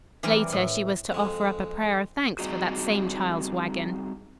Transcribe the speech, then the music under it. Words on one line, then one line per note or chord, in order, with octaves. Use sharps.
Later she was to offer up a prayer of thanks for that same child's wagon.
E3 G3 C4 A#4 G#5
A2
F2 G#3
G3 C4 D#4 F#4 G#4